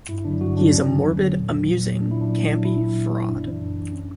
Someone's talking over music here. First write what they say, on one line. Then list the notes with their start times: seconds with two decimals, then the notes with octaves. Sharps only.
He is a morbid, amusing, campy fraud.
0.09 G2 E4
0.25 D3 F#3 D4
0.41 G2 F#4
0.56 D3 F#3 D4
0.73 E2 C#4
0.89 D3 F#3
1.05 E2
1.21 D3 F#3
1.37 A#2
1.53 F#3
1.69 A#2
1.85 F#3
2.01 A#2 D4
2.11 E4
2.17 F#3 D4
2.33 A#2
2.49 F#3
2.64 A#2 E4
2.81 F#3
2.96 A#2
3.12 F#3
3.29 F#2 D4
3.44 E3
3.61 F#2
3.76 E3
3.92 C#4